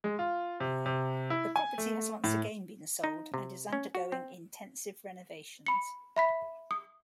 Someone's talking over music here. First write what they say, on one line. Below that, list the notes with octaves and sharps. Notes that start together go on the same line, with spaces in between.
The property has once again been sold and is undergoing intensive renovations.
G#3
F4
C3
C3
E4
G#5
A3
A2
D#4
C3
C#4
F#4
C4
B5 C#7
E5 B5 B6
D#6